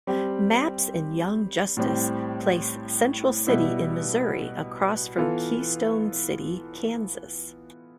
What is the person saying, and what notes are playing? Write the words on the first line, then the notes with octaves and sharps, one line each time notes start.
Maps in Young Justice place Central City in Missouri across from Keystone City, Kansas.
G3 C4 G4
A2 G3 C4
B2 G3 B3 E4
E3 B3 F4 A4